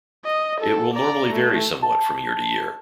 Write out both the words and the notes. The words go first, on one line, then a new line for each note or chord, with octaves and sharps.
It will normally vary somewhat from year to year.
D#5
A4
D5 A#5
A3
A5